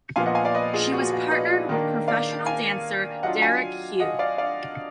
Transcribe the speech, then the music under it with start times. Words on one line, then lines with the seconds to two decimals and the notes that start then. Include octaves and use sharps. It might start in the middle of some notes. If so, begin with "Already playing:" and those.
She was partnered with professional dancer Derek Hough.
0.16 A#2 F3 B3 F5 G#5
0.26 D#5 F#5
0.35 F5 G#5
0.45 D5 F5
0.54 B4 D#5
0.74 F4 G#4
0.92 F#4
1.12 F#4
1.31 B4 D#5
1.69 D#3 A#3 D4
2.08 D5 F5
2.46 F5 G#5
3.23 F#3 D4 F4 D#5 F#5
3.42 F5 G#5
4.00 D#5 F#5
4.19 D5 F5
4.38 D5 F5